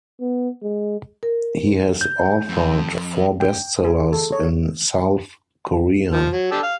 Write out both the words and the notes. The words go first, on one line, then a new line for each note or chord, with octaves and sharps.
He has authored four bestsellers in South Korea.
B3
G#3
A#4
G6
F2
G5
G#4
A4
C#5
F3
F#3
D4 G4 A4
F5